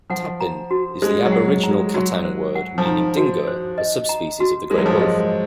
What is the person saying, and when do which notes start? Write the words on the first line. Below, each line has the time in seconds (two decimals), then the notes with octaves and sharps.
"Tapin" is the Aboriginal Kattang word meaning dingo, a subspecies of the grey wolf.
0.10 F3 F#5
0.41 A#5
0.71 F#4
1.02 G#3 C5
1.25 F#3
1.32 F#5
1.48 F#3
1.63 A#5
1.71 G#3
1.94 F#3 F#4
2.25 C5
2.55 F#5
2.78 F3
2.86 D#3 A#5
3.17 F#4
3.47 C5
3.78 D#5
4.09 A#5
4.40 F#4
4.70 G#3 A#4
4.78 F#3
4.86 F3
4.92 F#3
5.00 G#3 D#5